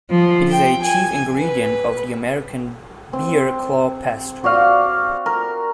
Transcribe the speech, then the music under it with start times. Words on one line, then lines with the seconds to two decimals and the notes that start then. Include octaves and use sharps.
It is a chief ingredient of the American bear claw pastry.
0.11 F3
0.49 G5
0.81 G#5
1.38 B4
3.13 C4
4.44 F#4 D5 F5
5.26 A#4